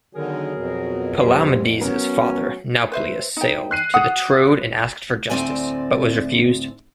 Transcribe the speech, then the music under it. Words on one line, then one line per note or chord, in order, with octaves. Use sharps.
Palamedes' father Nauplius sailed to the Troad and asked for justice, but was refused.
D3 D#3 F#3 B3 G#4 A#4
F2 B2
F#2 G4 C5
F#3 B3 C#4 A#4
B4 C5 E5
D#4 G5
F#6 C7 D#7
F#4 F#5 D#6
D2 A2 D#3 C4 D5 G#5